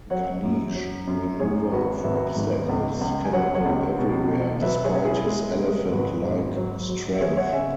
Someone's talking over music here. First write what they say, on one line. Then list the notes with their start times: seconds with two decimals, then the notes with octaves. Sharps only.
Ganesh, remover of obstacles, cannot go everywhere despite his elephant-like strength.
0.10 F#3 C#5 F#5
0.43 F#2
0.75 F#3
1.07 F#2
1.39 G#2 G#4 C#5
1.72 G#1 F#4 B4
2.04 G#1 B4 E5
2.36 G#2
2.69 C#2
3.01 C#2
3.24 G#5
3.33 F#3 C#5 F#5
3.54 C#5 F#5
3.65 C#2
3.98 B2
4.30 B2
4.62 F#3 B4 E5
4.84 G#4 C#5
4.95 C#4
5.05 E4 G#4
5.26 G#3
5.59 G#3
5.91 G#1 F#4 B4
6.24 G#2
6.56 F#3
6.89 F#3
7.15 E5
7.20 B3 G#4 C#5
7.37 C#5 F#5
7.53 C#3 E5 G#5